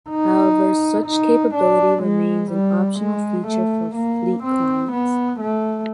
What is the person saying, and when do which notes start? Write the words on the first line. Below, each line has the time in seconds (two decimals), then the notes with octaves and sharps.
However, such capability remains an optional feature for fleet clients.
0.10 D#4
1.06 D#4
1.54 D4
2.03 G#3
2.51 G3
2.99 G#3
3.48 A3
3.95 A#3
4.43 C4
4.92 B3
5.40 A3